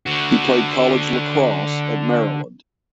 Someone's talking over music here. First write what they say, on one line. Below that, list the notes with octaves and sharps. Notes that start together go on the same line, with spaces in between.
He played college lacrosse at Maryland.
D3 F#4